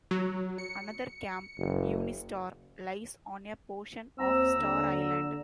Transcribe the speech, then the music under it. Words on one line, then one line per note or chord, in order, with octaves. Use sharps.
Another camp, UniStar, lies on a portion of Star Island.
F#3
C#7
F#1
D#2 C4 A#5 E6
D3